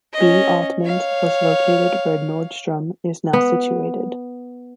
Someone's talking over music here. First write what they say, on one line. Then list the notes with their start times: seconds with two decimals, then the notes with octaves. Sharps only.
B. Altman's was located where Nordstrom is now situated.
0.13 C#4 D#5
0.83 C#5 F5
3.33 B3